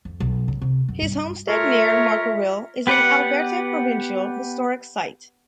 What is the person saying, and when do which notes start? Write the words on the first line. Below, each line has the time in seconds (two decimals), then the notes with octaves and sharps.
His homestead near Markerville is an Alberta Provincial Historic Site.
0.05 F2
0.20 B1
0.48 C#3
0.62 C3
0.88 F#2
1.02 G2
1.47 A3 F4 A#4 C#5 E5
2.87 B3 G4 B4 D5 F#5